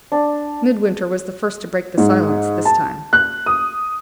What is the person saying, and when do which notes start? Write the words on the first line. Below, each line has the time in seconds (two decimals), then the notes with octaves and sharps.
Midwinter was the first to break the silence this time.
0.12 D4
1.97 G#2
2.65 A5
3.13 F#6
3.46 D#6